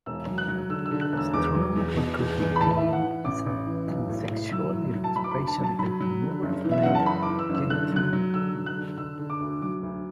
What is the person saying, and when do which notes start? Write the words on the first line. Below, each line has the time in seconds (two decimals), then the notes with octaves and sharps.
A strong recurring theme is transsexuality, especially the removal of male genitalia.
0.06 E1 E6
0.27 F#3
0.38 F#6
0.48 F#3
0.70 D3 E6
0.86 E6
0.91 D3
1.01 F#6
1.12 E1
1.17 E6
1.33 E2 D6
1.54 F#3
1.76 E2
1.97 B2
2.18 E2
2.40 E2
2.56 B5
2.60 A2 A5
2.77 E5
2.82 E3
2.93 F#5
3.03 E3
3.24 A1 D6
3.46 A1
3.67 E3
3.88 B1
4.09 A2
4.31 A2
4.52 F#3 E6
4.73 A2
4.95 F#3
5.04 A5
5.15 F#3 B5
5.24 D6
5.31 B5
5.37 D2
5.47 A5
5.58 F#3
5.64 A5
5.79 F#3 B5
6.00 F#3
6.22 D3
6.43 F#1
6.64 E3
6.71 E5
6.83 F#1 F#5
6.95 A5
7.06 E3 B5
7.23 D6
7.28 E3
7.39 E6
7.50 F#1
7.55 E6
7.70 D3 F#6
7.92 F#3 F#6
8.13 F#3
8.34 D3 E6
8.55 F#3
8.66 F#6
8.76 D3
8.98 D3 E6
9.19 D3
9.30 D6
9.40 D2
9.62 F#3 D6
9.83 D2